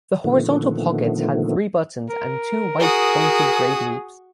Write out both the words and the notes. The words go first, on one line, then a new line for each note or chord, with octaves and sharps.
The horizontal pockets had three buttons and two white pointed braid loops.
A#2 D3 D#3 F3 A3 B3
A#4
F#4 G#4 D#6